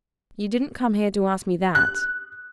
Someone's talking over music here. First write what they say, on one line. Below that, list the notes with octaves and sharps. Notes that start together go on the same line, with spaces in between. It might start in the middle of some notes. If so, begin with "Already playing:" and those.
You didn't come here to ask me that.'
F#6